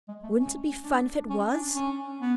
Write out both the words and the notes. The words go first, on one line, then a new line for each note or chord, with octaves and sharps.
Wouldn't it be fun if it was?
G#3
A3
C#4
D4
C#4
D4
C#4
B3